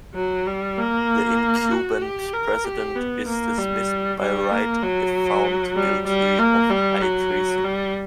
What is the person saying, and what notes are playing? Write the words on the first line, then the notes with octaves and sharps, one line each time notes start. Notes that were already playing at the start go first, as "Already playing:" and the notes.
The incumbent President is dismissed by right if found guilty of high treason.
F#3
G3
A#3
F#4
G4
A#4
G4
B3
A#3
G3
G3
A#3
F#3
G3
G3
A#3
G3
F#3
G3